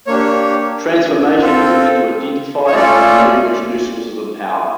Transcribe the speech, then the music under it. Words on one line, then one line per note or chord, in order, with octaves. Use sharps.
Transformation is meant to identify and leverage new sources of power.
A#3 D4 G4 C#5
C4 F4 A4
C#5
A3 C#4 F4 A4 D5